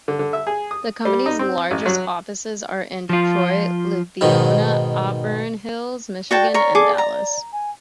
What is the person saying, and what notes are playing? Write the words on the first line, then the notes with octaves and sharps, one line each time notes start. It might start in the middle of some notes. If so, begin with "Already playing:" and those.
The company's largest offices are in Detroit, Livonia, Auburn Hills, Michigan and Dallas.
D3
D3
E5
G#4
D#6
G3
D#4
C4
A1
F#3
F3 F4
G#2 B2 D#3
F#4 D5 G5 A5
A#4 C#5
G#4 A4 D6
A#5
G#5